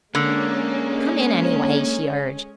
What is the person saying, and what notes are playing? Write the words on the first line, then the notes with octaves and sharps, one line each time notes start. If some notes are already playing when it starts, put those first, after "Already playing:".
"Come in, anyway," she urged.
D3 G#3 A#3 C#4